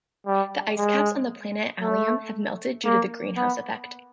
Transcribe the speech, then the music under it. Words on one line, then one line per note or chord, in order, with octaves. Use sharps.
The ice caps on the planet Allium have melted due to the greenhouse effect.
G3
G#3
A3
A#3
B3